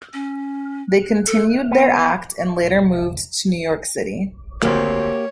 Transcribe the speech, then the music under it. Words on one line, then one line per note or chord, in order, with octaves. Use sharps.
They continued their act and later moved to New York City.
C#4
A4
B3
G#1 D2 A#3 C4 G4 C#5